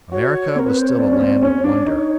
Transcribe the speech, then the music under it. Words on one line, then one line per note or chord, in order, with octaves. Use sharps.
America was still a land of wonder.
F#4 C#5
C4 A#4
B4
C5
C#5
C4 D5
C#4
C4
C#4 C#5
D4
D#4